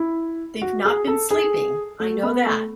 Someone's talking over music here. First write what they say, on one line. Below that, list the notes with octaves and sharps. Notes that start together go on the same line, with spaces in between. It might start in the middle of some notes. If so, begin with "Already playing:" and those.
They’ve not been sleeping, I know that.
Already playing: E4
F#4
G#4
A4
G#4
A3
B3
A3